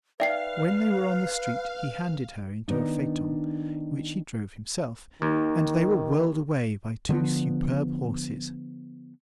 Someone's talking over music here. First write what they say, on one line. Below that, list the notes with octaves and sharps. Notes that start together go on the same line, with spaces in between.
When they were on the street he handed her into a phaeton, which he drove himself, and they were whirled away by two superb horses.
D#4 B4 D5 E5 F5 G5 C7
D#3 B3 D4 D#4
D#2 D#3
D3 F3 A3 B3